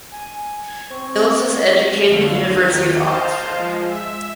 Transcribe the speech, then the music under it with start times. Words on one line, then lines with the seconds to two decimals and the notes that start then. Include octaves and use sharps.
Phillips was educated at the University of Oxford.
0.11 G#5
0.68 G#6
0.90 C4 C#6
2.07 F2 D3 A3 F5
2.48 E2 D#3 F6 G6 D#7
3.03 C5 D#5 F5 A5 F6 G6
3.56 F3 G#3
3.89 E5 E6